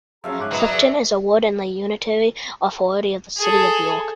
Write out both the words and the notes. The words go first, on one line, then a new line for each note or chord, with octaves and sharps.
Clifton is a ward in the Unitary Authority of the City of York.
F3 F#3 C#4 G#4 E5 F5 A5 A#5
G#2 D6 F#6
F#3 B4 D#5 A#5 D#6
G#4 A#4 B4 D5
G#4 A4